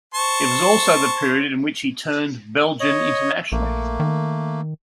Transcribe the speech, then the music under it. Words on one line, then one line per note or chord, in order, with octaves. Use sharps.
It was also the period in which he turned Belgian international.
C5 A5 C#6
C#5 D#5
A#1 A3 A#3
D#3